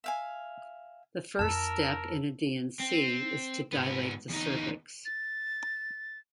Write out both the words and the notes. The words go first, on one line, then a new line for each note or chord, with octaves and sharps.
The first step in a D and C is to dilate the cervix.
E5 F5 G#5
F2 E4 A#4 A5 E6
C4
G#2 B3
E2 D#4
A6